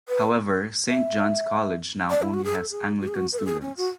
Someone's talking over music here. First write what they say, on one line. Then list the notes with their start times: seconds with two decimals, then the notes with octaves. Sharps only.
However, Saint John's College now only has Anglican students.
0.09 B4
0.88 E5
2.10 D5
2.22 E4
2.34 F#4
2.45 G#4
2.55 A4
2.71 G#4
3.01 F#4
3.08 G#4
3.15 F#4
3.33 B4
3.39 A4
3.47 G#4
3.62 C#4
3.77 F#4